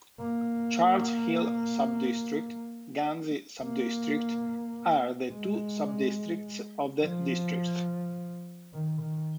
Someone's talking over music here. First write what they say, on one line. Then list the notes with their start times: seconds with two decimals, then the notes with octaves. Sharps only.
Charles Hill Sub-District, Ghanzi Sub-District are the two sub districts of the district.
0.21 A#3
3.62 A#3
5.32 G#3
7.03 F3
8.73 D#3
9.01 D#3